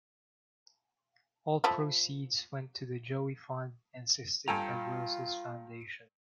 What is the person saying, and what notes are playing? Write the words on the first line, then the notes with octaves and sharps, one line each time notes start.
All proceeds went to the Joey Fund and Cystic Fibrosis Foundation.
F3 A3 E4
G2 F4 A4 G5 G#5 A#5